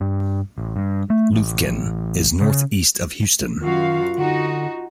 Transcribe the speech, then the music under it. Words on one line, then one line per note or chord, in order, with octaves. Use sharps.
Lufkin is northeast of Houston.
G2
A1
G2
A3
A1
C#3
F#2 D#3 F4 F#4 F5
D3 D#4 F#4